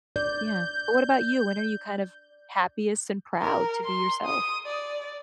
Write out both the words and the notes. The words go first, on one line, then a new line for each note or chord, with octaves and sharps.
Yeah. But, what about you? When are you kind of happiest and proud to be yourself?
D5 G6
A#4
C6
D#6
D5